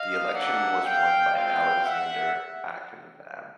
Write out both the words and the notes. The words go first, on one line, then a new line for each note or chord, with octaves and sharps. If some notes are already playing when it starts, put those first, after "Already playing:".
The election was won by Alexander Ankvab.
Already playing: D#5 F5
A#3 D4 F#4 E5 F#5
F5 G5
G#3 C4 F4 F5 G5
E5 F#5